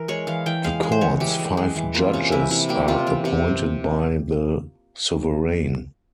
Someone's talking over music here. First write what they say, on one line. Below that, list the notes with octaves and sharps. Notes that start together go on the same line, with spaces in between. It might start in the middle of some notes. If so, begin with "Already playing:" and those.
The Court's five judges are appointed by the Sovereign.
Already playing: E3 A#4
G#3 C#5
E3 F5
E3 G5
G#3 F5
G#3
C5
E3 C#5
E3 G4
G#3
G#3
E3
A#3 F4
C3 C#4
E3 E4
C3 E4
A#3 G4
C3 F4
E3 G4
C3